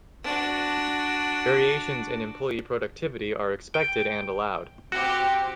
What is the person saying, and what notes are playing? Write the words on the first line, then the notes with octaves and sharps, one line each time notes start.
Variations in employee productivity are expected and allowed.
D4 F#4
G5
C4 F#4 G4